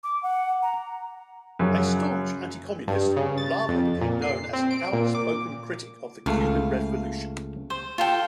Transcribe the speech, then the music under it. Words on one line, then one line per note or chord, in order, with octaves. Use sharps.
A staunch anti-communist, Lava became known as an outspoken critic of the Cuban Revolution.
D6
F#5
A#5
F#2 C#3 F#3
G2
C#3
A6
F2
A#2
C7
C4
D7
A#2
D6
C#2 A3 F5
C5
F4 A4 G5